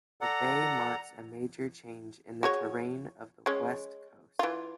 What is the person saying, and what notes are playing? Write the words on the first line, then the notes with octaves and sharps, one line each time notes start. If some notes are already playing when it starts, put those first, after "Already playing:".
The bay marks a major change in the terrain of the west coast.
A4 D5 F#5 A#5
F#4 G#4 C#5
G#3 C#4
E3 F4